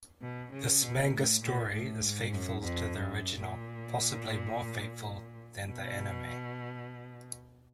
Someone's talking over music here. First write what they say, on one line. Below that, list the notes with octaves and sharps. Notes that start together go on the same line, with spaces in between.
This manga story is faithful to the original, possibly more faithful than the anime.
B2
C#3
B2
A2
A#2
A2
G#2
F#2
F2
F#2
A#2
B2